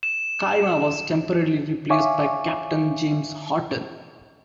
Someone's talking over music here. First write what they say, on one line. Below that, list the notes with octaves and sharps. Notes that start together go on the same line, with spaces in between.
Cima was temporarily replaced by Captain James Horten.
E7
C#5 E5 F5 G#5 C#6 D6